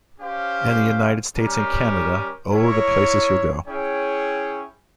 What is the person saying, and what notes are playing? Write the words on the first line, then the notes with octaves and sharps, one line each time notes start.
In the United States and Canada, Oh, the Places You'll Go!
C#4 G4 C5 F5
G3 C#4 G4 A#4
E4 A#4 C#5
C#4 E4 G#4 C#5 G5